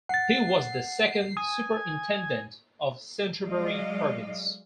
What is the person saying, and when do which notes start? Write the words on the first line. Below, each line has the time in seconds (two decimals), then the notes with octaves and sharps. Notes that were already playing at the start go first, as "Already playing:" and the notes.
He was the second Superintendent of Canterbury Province.
0.09 F#5 A6 C7
1.37 G#5 D#6
3.44 F#3 G#3 D5 D#5 F5